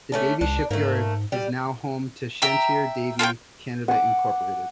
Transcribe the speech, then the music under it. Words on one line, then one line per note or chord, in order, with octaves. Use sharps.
The Davie Shipyard is now home to Chantier Davie Canada Incorporated.
A3 C#4 D4
C#2 D4
G#2 A3 A#3
G3
E5 G5 A#5
F4 A4 C#5 G5
F#5 D6